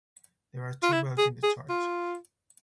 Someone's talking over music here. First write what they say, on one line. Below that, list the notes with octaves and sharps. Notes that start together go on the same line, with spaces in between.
There are two bells in the church.
F4
E4
G#4
G#4
F4